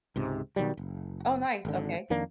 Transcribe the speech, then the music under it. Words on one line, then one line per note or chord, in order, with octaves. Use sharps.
Oh, nice, okay.
C#2 G#2 C3
B2 D#3 F#3 G3
F#1
G#1 D3
F2 D#3 A#3 D4